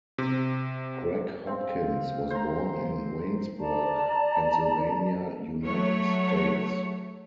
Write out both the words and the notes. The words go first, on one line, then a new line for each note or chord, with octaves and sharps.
Greg Hopkins was born in Waynesburg, Pennsylvania, United States.
C3
C4 F5
C5 A#5
D5 A5 A#5
F#3 A3 C#5